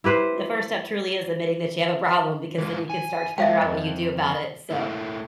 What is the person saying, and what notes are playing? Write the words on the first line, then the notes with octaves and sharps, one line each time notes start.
the first step truly is admitting that you have a problem because then you can start to figure out what you do about it, so
E4 G4 B4 C5
E3 G#3 F4
G#5
G#3 A#4 E5 F5 G5
F2 D#5
A3 A#3 E4